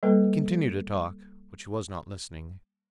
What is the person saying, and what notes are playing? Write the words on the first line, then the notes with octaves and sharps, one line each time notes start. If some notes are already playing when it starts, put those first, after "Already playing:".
He continued to talk, but she was not listening.
G3 A#3 A4 B4 G5